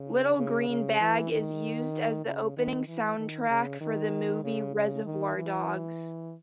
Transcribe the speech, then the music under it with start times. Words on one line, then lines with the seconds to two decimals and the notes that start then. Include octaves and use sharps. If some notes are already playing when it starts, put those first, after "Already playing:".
Little Green Bag is used as the opening soundtrack for the movie Reservoir Dogs.
Already playing: C#3
0.37 C#3
0.68 C#3
1.00 E3
1.32 D#3
2.25 C#3
2.57 D#3
2.88 E3
3.18 D#3
3.50 C#3
3.81 D#3
4.44 C#3
4.75 C#3
5.05 D#3
5.37 E3